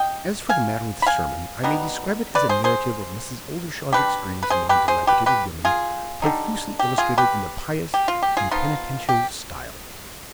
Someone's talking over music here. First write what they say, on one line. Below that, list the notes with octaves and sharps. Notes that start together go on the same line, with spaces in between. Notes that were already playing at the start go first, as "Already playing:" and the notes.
As for the matter of the sermon, I may describe it as a narrative of Mrs. Oldershaw's experience among dilapidated women, profusely illustrated in the pious and penitential style.
Already playing: D#5 G5
F5 G#5
B5
F5 G#5
B2 G3 B3 D#4
B4 D5
G#4 C5
G#4 C5
D3 G3 D4 G4 B4
B4
G#4 C5
G4 B4
G#4 C5
G4 B4
G4 B4
F4 G#4
D3 G3 C4 D#4
G4
F4 G#4
G4 B4
G4
F4
G4
F4 G#4
F3 B3 D#4 F4
G4